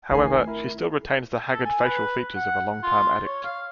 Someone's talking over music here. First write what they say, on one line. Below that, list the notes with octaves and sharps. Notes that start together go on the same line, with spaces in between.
However, she still retains the haggard facial features of a long-time addict.
D#3 A3 C4 G#5 C7
E4 A#4
A4
G#5
B4
F#5
F4
C#5
F5